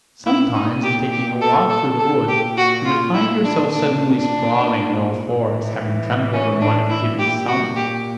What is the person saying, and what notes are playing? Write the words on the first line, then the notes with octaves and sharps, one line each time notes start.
Sometimes, in taking a walk through the wood, you would find yourself suddenly sprawling on all fours, having trampled on one of Gibbey's salmon.
A#2 E4
D#4
G4
G4
A4
A4
A#2 A4
G4
F#4
F4
E4
D4
A#2 D4
D4
A2 E3
C#4
D4
E4
A#2 G4
F#4
G4